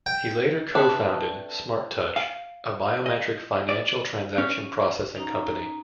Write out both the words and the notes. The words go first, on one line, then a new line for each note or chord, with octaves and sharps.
He later co-founded SmartTouch, a biometric financial transaction processing company.
G5
A3 C4 D4 B4
F5
D#5
D5
C#4
C#4 D#4 A#5